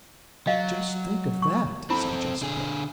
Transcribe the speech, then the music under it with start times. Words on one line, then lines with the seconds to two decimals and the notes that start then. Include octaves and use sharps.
"Just think of that!" said Jessica.
0.47 F#3 D#5 F5
1.42 C#6
1.90 C4 E4 A4 B5
2.42 D3 G#4